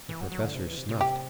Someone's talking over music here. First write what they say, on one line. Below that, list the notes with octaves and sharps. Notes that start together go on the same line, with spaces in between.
The Professor snuffed.
E3
F#3
F#3
D3
C3
E3
C3
C3
G4